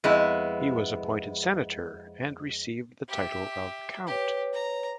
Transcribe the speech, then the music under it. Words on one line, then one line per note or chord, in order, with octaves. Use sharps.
He was appointed senator and received the title of count.
F2 G#3 B3 E4
G4 E5
G4 B4 C#5
A#5